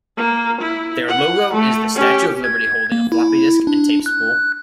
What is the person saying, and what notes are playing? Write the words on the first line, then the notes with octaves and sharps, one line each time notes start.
Their logo is the Statue of Liberty holding a floppy disk and tape spool.
A#3
E4
F#5
A3
C#4 G4
G#6
A#3
E4
D4
F#6